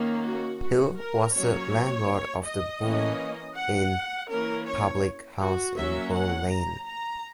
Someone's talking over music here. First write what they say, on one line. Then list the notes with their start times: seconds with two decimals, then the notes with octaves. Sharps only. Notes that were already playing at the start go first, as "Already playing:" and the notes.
Hill was the landlord of the Bull Inn public house in Bull Lane.
Already playing: D#3 A#3 C#4
0.23 F#4
0.60 F#4
0.97 A#4
1.34 F#3 A#3 C#4 C#5
2.44 D#5
2.82 E3 A#3 C#4
3.56 F#5
4.28 E3 A#3 C#4 A#4
4.66 C#5
5.40 F#4
5.76 F#3 A#3 C#4 E5
6.13 F#5
6.51 A#5
6.87 A#5